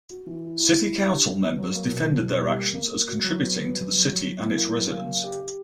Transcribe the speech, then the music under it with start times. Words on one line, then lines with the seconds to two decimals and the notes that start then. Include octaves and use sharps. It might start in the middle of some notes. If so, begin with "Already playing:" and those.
City councilmembers defended their actions as contributing to the city and its residents.
0.10 F#4
0.26 E3
0.44 E4
0.59 E4
0.76 E4
0.93 G4
1.10 D4
1.26 F#3
1.42 B3
1.58 F#3
1.75 A#3
1.92 B2
2.09 F#3
2.25 B2
2.41 G3
2.59 A#3
2.75 A#3
2.92 A#3
3.08 F#4
3.24 F#3
3.41 B3
3.58 B3
3.74 F#3
3.91 F#3
4.08 F#3
4.24 F#3
4.40 E4
4.57 A#3
4.74 F#3
4.90 C#3
5.06 A#3
5.24 G4
5.40 G4